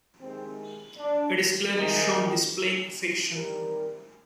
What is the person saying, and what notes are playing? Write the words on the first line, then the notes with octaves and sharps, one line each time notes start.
It is clearly shown displaying affection.
C3 D#3 G#3 C4
D4
F2 C3 D#3 G#3 D#4
C3 D#3 G3 A#4